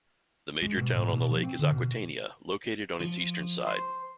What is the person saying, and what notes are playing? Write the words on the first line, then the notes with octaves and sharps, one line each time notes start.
The major town on the lake is Aquitania, located on its eastern side.
G#3
B2
A2
B2
F3
C4
D3
B2
F3
C5